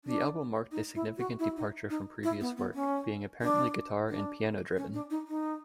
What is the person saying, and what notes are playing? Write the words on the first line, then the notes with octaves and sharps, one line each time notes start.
The album marked a significant departure from previous work, being apparently guitar-and piano-driven.
D4
D#4
E4
F#4
E4
D#4
D#4
E4
B3
B3
C#4
D4
D4
C#4
D4
D#4
D#4